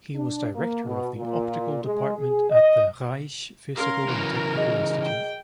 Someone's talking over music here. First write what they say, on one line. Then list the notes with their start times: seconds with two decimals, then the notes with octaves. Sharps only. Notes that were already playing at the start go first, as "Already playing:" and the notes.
He was director of the optical department at the Reich Physical and Technical Institute.
0.16 D4
0.55 A#3
0.86 B2
1.17 A#2
1.84 G#3
2.17 G#4
2.51 D#5
3.76 C#4 A#4 F5 C6
4.09 C#3 E3 F#3
4.57 G#4 D#5
5.03 G5 G6